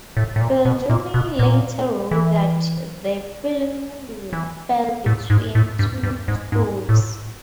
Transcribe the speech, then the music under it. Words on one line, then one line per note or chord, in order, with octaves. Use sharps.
Phil Dunne later wrote that the film fell between two stools.
A2
A2
A#2
B2
A#2
B2
A#2
E3
E3
A2
G#2
A2
G2
G2
G#2
G#2
A2